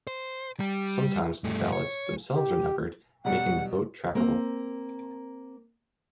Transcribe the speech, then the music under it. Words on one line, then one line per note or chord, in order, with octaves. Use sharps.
Sometimes the ballots themselves are numbered, making the vote trackable.
C5
G3
G2 A3
C#5
G4
B2 F#3 G3 F#5
A#3 C4 A#4